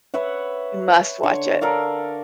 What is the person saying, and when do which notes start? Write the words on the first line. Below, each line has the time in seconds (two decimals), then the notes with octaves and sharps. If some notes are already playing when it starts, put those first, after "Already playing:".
You must watch it
0.14 B4 C#5 E5 F#5
1.23 D3 C#5 C6
1.61 A4 A#4 D5 F5